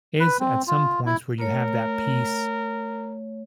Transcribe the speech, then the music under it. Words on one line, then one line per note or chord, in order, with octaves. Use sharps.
is at some points where you have that peace,
B4
C4
F4
E4
A3 A#4 C#5